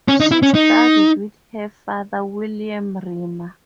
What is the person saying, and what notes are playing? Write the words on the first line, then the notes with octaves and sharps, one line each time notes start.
She studied with her father William Rimmer.
C#4
D#4
E4
C#4
D#4